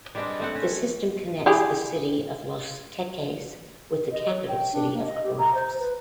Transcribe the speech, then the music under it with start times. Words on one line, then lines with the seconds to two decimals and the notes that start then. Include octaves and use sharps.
The system connects the city of Los Teques with the capital city of Caracas.
0.15 G3 G#3 B3 C4 D4
0.40 A3 C4 F#5
0.55 C#4
1.46 E4 G4 G#4
4.12 D#5
4.29 C#5
4.48 G5
4.73 D4
4.93 A#3
5.06 D#5
5.24 G4
5.38 A#5
5.55 C5
5.79 B4